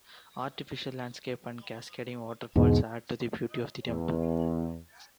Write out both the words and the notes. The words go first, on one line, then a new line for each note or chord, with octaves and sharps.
Artificial landscape and cascading waterfalls add to the beauty of the temple.
E2 G#2 B2
E2